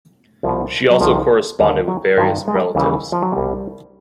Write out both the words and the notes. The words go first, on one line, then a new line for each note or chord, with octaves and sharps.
She also corresponded with various relatives.
C2 B2 F3
F#3
C2 C3 D#3 F3
D#2 D3 G3
F#3
G2 D#3 F3
G#3
G3
D#2 C#3 E3 G3
F3
F#3
C2 B2 G3